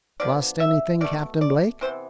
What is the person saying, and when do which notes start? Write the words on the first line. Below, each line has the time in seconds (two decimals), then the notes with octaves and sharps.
"Lost anything, Captain Blake?"
0.20 D3 F3 B3 D5
0.60 E5
1.01 B2 A3 D5
1.41 D5
1.81 C3 E3 B3 C5